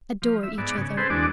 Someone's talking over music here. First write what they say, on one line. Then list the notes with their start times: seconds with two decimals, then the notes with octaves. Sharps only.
Adore each other.
0.22 F3
0.43 E5
0.58 G#2 B3 D5
0.77 C#3
0.97 C4 G#4 A4 B4 C5
1.10 E2 G#3 D4 F#4 D5